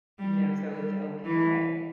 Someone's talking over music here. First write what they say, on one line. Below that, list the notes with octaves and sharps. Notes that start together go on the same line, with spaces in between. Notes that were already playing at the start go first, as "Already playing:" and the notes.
You know, so it's okay.
G3
G3
E3